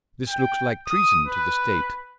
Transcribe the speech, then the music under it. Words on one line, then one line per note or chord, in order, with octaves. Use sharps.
This looks like treason to the state.
G5
D#6
B4